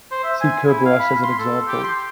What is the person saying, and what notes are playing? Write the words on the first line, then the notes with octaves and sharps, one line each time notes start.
See Kerberos as an example.
C5
E5
G#5
E4
F5
B5
C6
A4
G4
C6